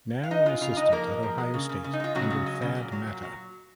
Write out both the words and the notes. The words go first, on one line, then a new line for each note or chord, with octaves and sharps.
Now an assistant at Ohio State under Thad Matta.
F5
G#3 D#4 D#5
G#3 F4 F5
C#3 F4 F5
G#3 D#4 D#5
F3 A#3 A#4
G#3
F3
G#3
C#3
C#3
C#3
D#4
G#3 F4
C#3 F#3 F#4
C#3
G#3
C#3
A#2
F#3
A#2
F#3